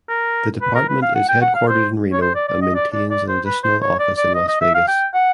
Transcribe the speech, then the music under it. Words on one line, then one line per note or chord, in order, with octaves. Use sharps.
The department is headquartered in Reno and maintains an additional office in Las Vegas.
A#4
B4
A#4
B4
F5
F#5
G5
F#5
F5
C5
C#5
C5
D5
D5
D#5
D5
D5
D5
C5
B4
C5
C#5
D5
D5
D#5
D#5
E5
F5
G5
F#5